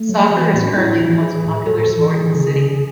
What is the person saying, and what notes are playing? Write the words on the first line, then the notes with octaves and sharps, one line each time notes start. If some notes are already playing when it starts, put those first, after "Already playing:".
Soccer is currently the most popular sport in the city.
Already playing: A3
F#3
G#4
E3 F#4
A3
A2 B3
C#4
D4
A2 E4
E3
E3 G#4
A2
G#4
A2 A4
E3
E3 G#4
C#3
C#3